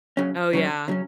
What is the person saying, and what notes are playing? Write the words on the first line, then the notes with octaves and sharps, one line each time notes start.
Oh, yeah.
C#3 F#3 C#4
C#3 F#3 C#4
C#3 F#3 C#4